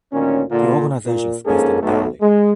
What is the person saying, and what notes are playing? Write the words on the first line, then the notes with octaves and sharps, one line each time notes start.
The organization is based in Delhi.
D2 A#2 D#3 C#4
A#2 D3 F4
A#2
A#1 G#2 A#3 C#4 G#4 A4
B1 A3
G#3